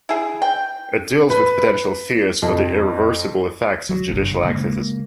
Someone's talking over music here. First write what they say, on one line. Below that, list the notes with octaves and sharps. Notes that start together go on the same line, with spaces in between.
It deals with potential fears for the irreversible effects of judicial activism.
E4 G#4
G5
B4
F2
F#3
F#1 C2 G2
C#3 G#3 A#3